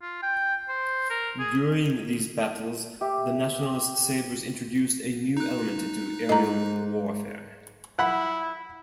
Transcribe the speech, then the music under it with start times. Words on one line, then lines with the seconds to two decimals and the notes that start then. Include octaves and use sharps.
During these battles, the Nationalist Sabres introduced a new element into aerial warfare.
0.02 F4
0.23 G5
0.68 C5
1.10 A#4
1.39 G#4
3.01 G4 E5
5.37 D#4 F#6
6.29 G#2 D#5 A#5
7.99 E4 F#5 B5